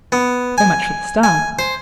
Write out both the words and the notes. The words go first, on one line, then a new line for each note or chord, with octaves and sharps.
So much for the "Star".
B3
G#5
G#5
C5